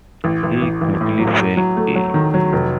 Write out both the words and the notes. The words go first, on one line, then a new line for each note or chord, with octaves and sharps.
He quickly fell ill.
A1
A1
A1
A1
A2
F#3
F#3
F#3
A3
F#3
D#3
F#3
F1